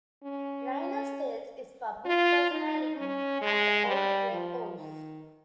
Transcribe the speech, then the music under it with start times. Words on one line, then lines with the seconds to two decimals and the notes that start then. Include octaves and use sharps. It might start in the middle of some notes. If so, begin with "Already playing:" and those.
Rhyner styles his public personality as "The Old Grey Wolf".
0.23 C#4
2.05 F4
2.51 D#4
2.96 C#4
3.41 G#3
3.86 G3
4.32 F3
4.78 D#3